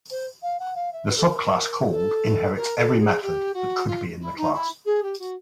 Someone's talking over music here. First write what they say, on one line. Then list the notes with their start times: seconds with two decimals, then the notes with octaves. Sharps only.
The subclass called inherits every method that could be in the class.
0.10 C5
0.42 F5
0.59 F#5
0.75 F5
0.92 E5
1.08 B4
1.17 A4
1.25 A#4
1.90 A4
2.55 A#4
2.77 A4
2.99 G#4
3.22 G4
3.53 F#4
3.87 F4
4.20 E4
4.36 D#4
4.53 E4
4.85 G#4
5.02 G4
5.18 F#4